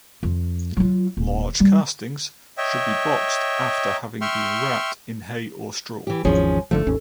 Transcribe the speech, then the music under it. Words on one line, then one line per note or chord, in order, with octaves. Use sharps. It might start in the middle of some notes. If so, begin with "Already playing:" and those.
Large castings should be boxed after having been wrapped in hay or straw.
F2
F#3 F4
D#1
G3
C#5 D#5 E5 G5
E5 G5 C6 C#6 F6
E3 G4
G#1 E2 F3 C#4 G#4
G#1 D3 F3 A3
G#1 D#2 C#4